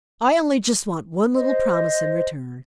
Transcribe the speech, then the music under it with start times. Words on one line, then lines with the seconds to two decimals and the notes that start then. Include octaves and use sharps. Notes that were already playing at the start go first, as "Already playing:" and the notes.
"I only just want one little promise in return."
1.34 C5 D#5